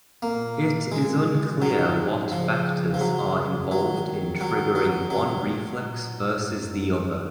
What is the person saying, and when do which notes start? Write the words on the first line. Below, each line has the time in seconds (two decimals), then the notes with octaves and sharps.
It is unclear what factors are involved in triggering one reflex versus the other.
0.22 A#2 A#3
0.92 G#3
1.40 C#3
1.46 B2
1.54 A#2
1.62 G#2 F#3
2.32 C#3 F3
2.94 F3
3.01 F#3
3.71 D#3 F#3
4.41 F#3
4.75 F#3
5.02 D#3
5.10 C#3 F#3
5.46 B2
5.80 A#2
6.51 F#2